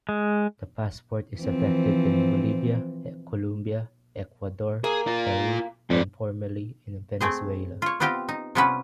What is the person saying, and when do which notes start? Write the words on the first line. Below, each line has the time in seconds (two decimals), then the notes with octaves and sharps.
The passport is effective in Bolivia, Colombia, Ecuador, Peru and formerly, in Venezuela.
0.09 G#3
1.38 E3 F3 C4
4.84 A#3 G#4
5.07 F4 A#4
5.90 F2 G#3 D5
7.21 A3 C4 G#4 C5
7.82 F4 C#5
8.00 B3 C4 F4 G4 F5 G5
8.29 D#4
8.55 C3 G3 B3 C#4 F4 B4